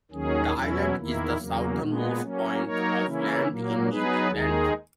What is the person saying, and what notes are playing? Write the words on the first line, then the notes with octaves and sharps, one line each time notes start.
The island is the southernmost point of land in New England.
D#2 D#3 F#3 C#4 G#4
E2 B2 F#3 C#4 E4
E2 D#3 A#3 E4
E2 C#3 F#3 A#3
A#2 G#3 B3
F#3 A#3 C#4
F#3 A#3 D#4 A#4 C#5
C#3 E3 A#3 C#4 E4
A#2 F#3 A#3
F#3 B3 D#4 G#4 B4
D#2 D#3 G#3 D#4 G#4